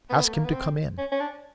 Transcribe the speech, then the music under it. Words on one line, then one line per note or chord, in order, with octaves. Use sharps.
Ask him to come in.'
B3
A3
A#3
B3
C4
C#4
C#4
D4